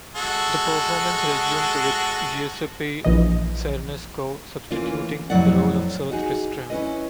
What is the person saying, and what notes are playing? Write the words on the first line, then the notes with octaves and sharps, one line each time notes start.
The performance resumed with Giuseppe Cernusco substituting in the role of Sir Tristram.
G#3 F#4 A4
A#1 E3 D#5
E3 A3 A#3 C#4 F4
F2 A2 F#3 E4 D5 F#5
D#4 F#4 G#4
C#4 E4 B4 D#5